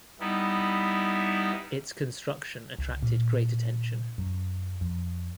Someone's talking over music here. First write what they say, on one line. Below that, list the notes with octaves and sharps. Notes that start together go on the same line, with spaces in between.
Its construction attracted great attention.
G3 B3 D#4 E4
C#2
A#2
F#2
F2